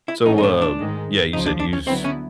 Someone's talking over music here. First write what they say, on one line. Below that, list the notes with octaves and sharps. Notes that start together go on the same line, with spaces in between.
So, uh, yeah, you said you use
E4
A2 E3 A3 C#4 D#4
D#4
D4
D4
G#2 D#3 G#3
C#2 C#3 F3 D#4
D4
D4
C#4
D3 F#3 B3 C4 E4
C#4